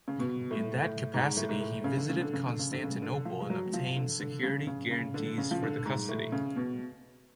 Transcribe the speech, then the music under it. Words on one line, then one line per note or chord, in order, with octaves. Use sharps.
In that capacity he visited Constantinople and obtained security guarantees for the Custody.
C#3
B2
A2
A2
G#2
A2
G#2
A2
C#3
D3
C#3
D3
C#3
D3
C#3
D3
C#3
D3
F3
G#3
F#3
F3
D3
D3
C#3
C#3
C#3
D3
C#3
F3
D3
G#2
A2
C#3
B2